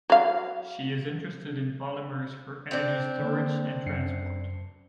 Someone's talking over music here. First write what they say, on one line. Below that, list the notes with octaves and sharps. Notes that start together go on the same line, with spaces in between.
She is interested in polymers for energy storage and transport.
F#3 F5
C4 D4
D3 A#3
F#2 C7 C#7